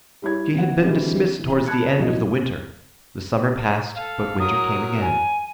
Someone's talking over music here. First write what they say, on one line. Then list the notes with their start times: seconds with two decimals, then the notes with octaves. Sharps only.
She had been dismissed towards the end of the winter; the summer passed, but winter came again.
0.22 G3 E4 C#5 G#6
0.54 C3 E3 A#3 F#5
0.83 D3 E3 F#3 G#3 C4 G4
1.39 E3
1.67 A5 B5 F#6 G#6 C#7
1.98 D#1 C2 F3 F#3 E4 D#5
3.96 A4 F5
4.39 F#3 A#4 D#6
5.01 G#5